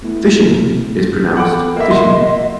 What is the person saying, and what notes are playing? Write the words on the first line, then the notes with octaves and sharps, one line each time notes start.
Phishing is pronounced fishing.
A3 B3 E4
F4 A4 F#5 G5 B5 D6
A#3 D#5 E5
E3 F#5 C6